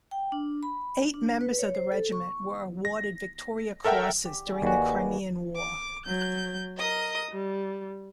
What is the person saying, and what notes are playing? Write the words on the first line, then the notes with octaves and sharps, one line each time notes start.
Eight members of the Regiment were awarded Victoria Crosses during the Crimean War.
G5
D4
B5
D4
B4
C#5
C5
A4
C#6
A#6
A4 A#4 E5 F#5 G5
G4
F#4 G#4 D5
D#2 F#4 G#4 B4 F#5
D6
F#3 G6
A#4 D#5 D#6
G3